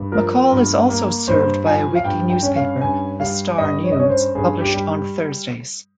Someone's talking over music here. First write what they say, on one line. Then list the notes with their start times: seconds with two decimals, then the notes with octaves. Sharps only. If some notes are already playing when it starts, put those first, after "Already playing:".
McCall is also served by a weekly newspaper "The Star News", published on Thursdays.
Already playing: G2
0.12 F3 A#4
0.51 G2
0.89 A#3
1.28 G2 C5
1.66 F3 G#5
1.95 F5
2.04 G2 G5
2.30 G5
2.43 C#4
2.56 F5
2.81 G2 G#5
3.20 G3 F5
3.58 G2 D#5
3.84 C#5
3.92 D#5
3.97 C#4 C#5
4.10 C5
4.35 G2 G#4
4.61 G4
4.73 G3